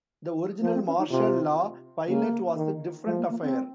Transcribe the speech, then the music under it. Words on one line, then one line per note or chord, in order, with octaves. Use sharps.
The original "Marshall Law" pilot was a different affair.
F3 A#3
C4
C#4
D#4
C3 F4
C#3 A#3
D#3
F3 G#3
A#3
A#3
C4